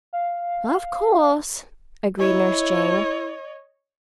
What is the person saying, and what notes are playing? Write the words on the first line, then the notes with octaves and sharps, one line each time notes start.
"Of course," agreed Nurse Jane.
F5
E4 C#5 D#5